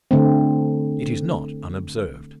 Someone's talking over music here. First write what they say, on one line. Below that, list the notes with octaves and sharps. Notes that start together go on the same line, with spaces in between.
It is not unobserved.
D3 A3 C4